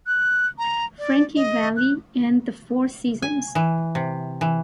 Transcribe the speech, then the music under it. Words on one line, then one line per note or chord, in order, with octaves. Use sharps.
Frankie Valli and the Four Seasons.
F#6
A#5
D5
D#5
F#6
G#5
E3
C3
E3